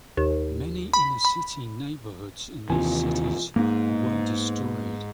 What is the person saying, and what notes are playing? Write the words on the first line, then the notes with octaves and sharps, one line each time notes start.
Many inner city neighborhoods in these cities were destroyed.
D#2
B5
B5
D#2 C3 E3 F4 G#5
G#2 A#3 B3 D#4